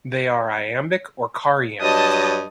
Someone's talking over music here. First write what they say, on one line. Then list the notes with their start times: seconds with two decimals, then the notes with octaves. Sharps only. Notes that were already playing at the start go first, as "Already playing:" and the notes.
They are iambic or choriambic.
1.82 G2 F#3 D#5 A5 D#6